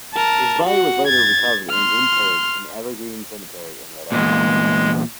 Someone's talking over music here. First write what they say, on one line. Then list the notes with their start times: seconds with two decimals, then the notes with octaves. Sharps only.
His body was later recovered and interred in Evergreen Cemetery in Red Oak.
0.14 A#4 A5
0.64 F#4 F#5
1.07 G#6 A6
1.71 C6 F6
4.12 E2 G2 A#2 G#3